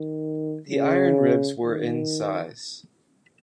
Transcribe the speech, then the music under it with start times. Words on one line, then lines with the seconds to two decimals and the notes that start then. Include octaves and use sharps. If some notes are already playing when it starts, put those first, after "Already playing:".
The iron ribs were in size.
Already playing: D#3
0.68 C#3
1.62 D#3